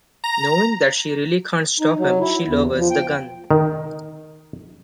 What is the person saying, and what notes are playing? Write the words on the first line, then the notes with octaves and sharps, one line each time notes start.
Knowing that she really can't stop him, she lowers the gun.
A#5
D#4
F#3
E4
E2
F3
G5
D#3